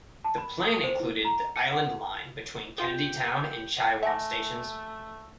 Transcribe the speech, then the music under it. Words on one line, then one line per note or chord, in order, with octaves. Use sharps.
The plan included the Island Line between Kennedy Town and Chai Wan stations.
A5
B5
D#6
C5
E4
A#5
C#7
F#5
F4 G4 G#4
A3 E5 G#5 A5 A#6